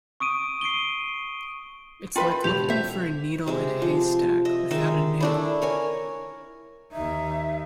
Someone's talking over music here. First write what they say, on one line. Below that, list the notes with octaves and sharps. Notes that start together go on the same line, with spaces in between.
It's like looking for a needle in a haystack without a nail.
C#6 D#6 D7 D#7
C7 D7 D#7 G7
F4 B4 E5 G5 B5 C6
E1 G4 F7
C5 E5
C3 G#3 E5
F3
D#5 E5
D#3 G#3 D#4 E5
A3 D4 E4
A#4 C#5 G#5
D#2 D#4 E5